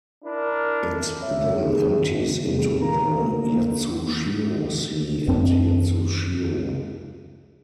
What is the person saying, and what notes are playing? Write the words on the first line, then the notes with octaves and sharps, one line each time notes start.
It then empties into the Yatsushiro Sea at Yatsushiro.
D4 E4 A#4
G1 C#5 E5
B3 D#4 E4 G4 G#4
G#1
A2 C3 G3 G#4
D2 A#2 A#4 F5 A#5
D2 C#3 A#3
F#2 C4 D4